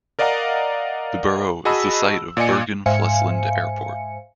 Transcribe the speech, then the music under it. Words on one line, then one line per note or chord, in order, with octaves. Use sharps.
The borough is the site of Bergen Flesland Airport.
A#4 D5 D#5 F5 F#5 A#5
F#4 G#4 D#5 A5 B5 E6
A#2 D5 D#5 G#5 C#7
G#2 C5 E5 F5 G#5 C#7